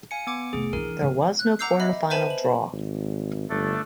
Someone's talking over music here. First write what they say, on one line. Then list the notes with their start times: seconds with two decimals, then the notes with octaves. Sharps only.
There was no quarterfinal draw.
0.11 F5 G#5 C#7
0.27 B3 D6 C#7
0.53 F1 A3 G#4
0.73 E3 D4 A#4
1.02 C#3 F3
1.39 F#6
1.59 F#5 A#5 D6 E6 G6 C7
1.80 D#5 E5 B5
2.10 B4 C5 E5 G#5 A5 B5
2.30 F#7
2.72 G#1
3.50 G1 A3 D4 A4